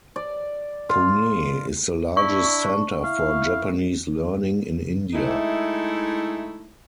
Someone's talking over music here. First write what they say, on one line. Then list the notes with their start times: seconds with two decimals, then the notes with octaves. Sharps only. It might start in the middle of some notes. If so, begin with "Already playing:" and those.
Pune is the largest centre for Japanese learning in India.
0.16 D5
0.89 F4
2.17 D4 E4 C#6
3.04 E4 F5
5.14 G#3 A3 D#4 E4